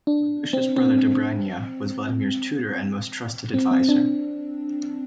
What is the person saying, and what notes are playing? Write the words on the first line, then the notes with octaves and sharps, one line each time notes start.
Malusha's brother Dobrynya was Vladimir's tutor and most trusted advisor.
D4
C4
C4
C4
C4
D4